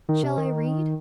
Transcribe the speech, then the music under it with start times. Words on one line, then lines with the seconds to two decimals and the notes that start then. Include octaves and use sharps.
Shall I read?
0.09 D#3
0.23 C3
0.38 D#3